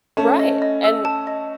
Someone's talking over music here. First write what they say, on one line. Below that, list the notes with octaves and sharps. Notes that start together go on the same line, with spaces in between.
Right, and
A3 C#4 A5
D#5
D#5
E6
A5
D#5